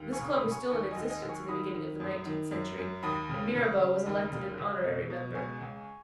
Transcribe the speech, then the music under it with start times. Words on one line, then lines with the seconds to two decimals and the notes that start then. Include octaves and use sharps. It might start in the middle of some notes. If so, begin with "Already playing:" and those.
This club was still in existence in the beginning of the nineteenth century, and Mirabeau was elected an honorary member.
Already playing: D#2
0.13 G#5 C#6
0.19 C#3
0.32 B5 D#6
0.45 C#3
0.51 G#5 C#6
0.70 D#2 G#5 C#6
0.91 D#5 G#5
0.97 D#2
1.10 D#5 G#5
1.22 D#2
1.29 G#5 C#6
1.48 D#3 B5 D#6
1.74 D#3
2.00 F#2
2.25 D#3
2.51 F#2
2.78 F#2
3.03 D#2 B5 D#6
3.29 C#3
3.55 C#3
3.81 C#3
4.06 D#2
4.32 C#3
4.58 C#2
4.84 B2
5.10 B2
5.35 C#2 G#5 C#6
5.61 C#2